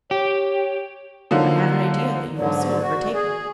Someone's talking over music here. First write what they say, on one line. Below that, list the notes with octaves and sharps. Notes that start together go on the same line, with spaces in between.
'I have an idea that you will soon overtake her.'
G4 C#5
D3 F3 F#3 A#3 D#4
G#2 D3 F#3 D5
D5
F#4
G#4